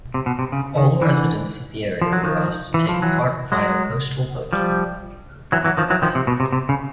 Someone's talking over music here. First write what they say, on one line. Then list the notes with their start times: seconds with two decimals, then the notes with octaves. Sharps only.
All residents of the area were asked to take part via a postal vote.
0.14 C3
0.26 B2
0.39 C3
0.52 C#3
0.77 D#3
1.02 D3 E3
2.02 F3
2.13 F#3
2.23 D#3 F3
2.74 E3
2.89 F3
3.02 E3 F#3
3.52 F#3 G#3
4.53 F3 G3
5.52 E3 F#3
5.65 E3 F#3
5.77 D#3 F3
5.90 E3 F#3
6.02 D#3 F3
6.15 C3
6.27 B2
6.40 C3
6.53 C3
6.69 C#3